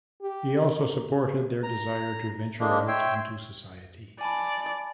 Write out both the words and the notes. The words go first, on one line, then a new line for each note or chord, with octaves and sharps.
He also supported their desire to venture out into society.
G4
A#4
A#5
G#3 A#3 D4
C#5 E5 G5 C6
D5 G#5 A5 B5